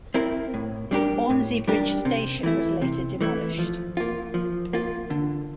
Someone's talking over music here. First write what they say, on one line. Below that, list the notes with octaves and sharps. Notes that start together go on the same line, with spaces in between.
Hornsea Bridge Station was later demolished.
C4 E4 A#4
A2
G3 D4 G4 A#4
A2
G3 D4 G4 A#4
C3
E3 A3 E4
C3
E3 A3 E4
F3
A#3 F4
F3
A#3 F4
D3